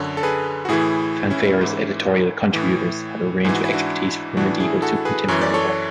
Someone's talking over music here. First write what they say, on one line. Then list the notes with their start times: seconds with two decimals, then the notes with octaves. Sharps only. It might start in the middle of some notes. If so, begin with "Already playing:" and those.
"Fanfare"'s editorial contributors have a range of expertise from the medieval to contemporary work.
Already playing: F#2 D3 A4 C#5
0.17 A4
0.23 G#4 B4
0.65 F#4
0.69 A2 E3 E4 G#4
1.30 C#4 E4
1.61 G#2 E3
2.53 A2 E3
3.45 G#2 E3 G#4
3.55 F#4
3.64 E4
3.73 D4 F#4
4.37 A2 E3 D4 F#4
4.60 E4 G#4
4.82 F#4 A4
5.05 G#4 B4
5.28 F#2 E3 C#5
5.41 D5
5.54 A4 C#5